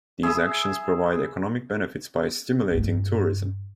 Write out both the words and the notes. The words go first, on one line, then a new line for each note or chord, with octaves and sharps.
These actions provide economic benefits by stimulating tourism.
G#4 E5 B5 D#6
G2 E4